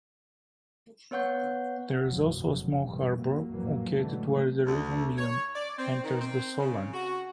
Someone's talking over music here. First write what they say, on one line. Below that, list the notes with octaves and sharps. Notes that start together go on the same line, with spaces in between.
There is also a small harbour, located where the River Meon enters the Solent.
B3 B4 C#5 F#5 C#6 G6
F1 C#2 G2 B2 F3 F#3
F1 B1 F#2 F3
F2 G#2 C3 E3 G3
F#3 A#3
A1 F2 A#2 E3 F#3 A#3
A2 D3 E3 F#3 G#3 A3
D2
C#5
D5
C4
D#3
C4
C#3
F#4